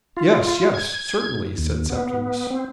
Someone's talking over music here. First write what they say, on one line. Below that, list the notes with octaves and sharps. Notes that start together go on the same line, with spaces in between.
"Yes, yes, certainly," said Septimus.
F4
G#6
D#2
B3
C4